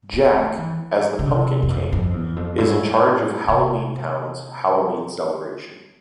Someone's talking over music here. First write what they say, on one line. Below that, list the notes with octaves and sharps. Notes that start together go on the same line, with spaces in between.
Jack, as the Pumpkin King, is in charge of Halloween Town's Halloween celebration.
B3
A3
E3
D3
C3
E2
F2
F2
E2
F2
A2
C3